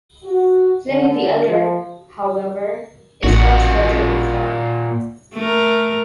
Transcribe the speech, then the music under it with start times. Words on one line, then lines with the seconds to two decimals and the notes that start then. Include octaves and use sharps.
Pliny the Elder, however, is much better informed.
0.24 F#4
0.87 D3
1.47 F3
3.24 A1 A#2 F#4
5.34 A3 A#4